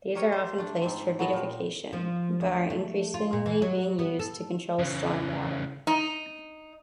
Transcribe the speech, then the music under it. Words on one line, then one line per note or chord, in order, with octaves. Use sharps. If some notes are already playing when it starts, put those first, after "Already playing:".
These are often placed for beautification, but are increasingly being used to control stormwater.
G4 A#4 C#5 D#5
C5
A3 D4
G#2 C4
F#3 B3 A4 D#5
A#2 G3
F3
D2
A3
F4
A#2
E3
F#3
B3
A4
C#3 E3
D#4